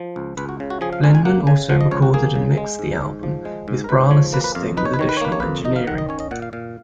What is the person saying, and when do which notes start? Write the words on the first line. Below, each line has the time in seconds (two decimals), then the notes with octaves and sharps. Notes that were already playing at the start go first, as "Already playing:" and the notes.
Blinman also recorded and mixed the album, with Brahl assisting with additional engineering.
Already playing: F3
0.16 C#2
0.37 C#2 B4
0.49 F#4
0.60 C#3
0.70 F#4
0.81 F3 G#4
0.93 F5
1.04 C#2 G#5
1.15 G#5
1.25 A#3 F#5
1.47 C#3 G#5
1.69 F3 F#5
1.81 D#5
1.91 C#2 C#5
2.02 F#4
2.14 A#3 G#4
2.35 C#3
2.57 G#3
2.79 G#2
3.01 G#2
3.23 F3
3.45 G#3
3.68 G#2
3.84 A#4
3.89 G#2 B4
4.11 F3 C#5
4.33 A#3 B4
4.44 B4
4.55 F2 F5
4.77 D#4 B4
4.85 C#5
4.94 B4
4.99 D#3 C#5
5.09 B4
5.17 C#5
5.21 A#3 B4
5.32 C#5
5.40 F2 B4
5.65 D#4 D#5
5.76 F5
5.87 D#3 F#5
5.98 D#5
6.09 C#4 C#5
6.20 D#5
6.31 A#2 F#5
6.42 F5
6.53 A#2 F5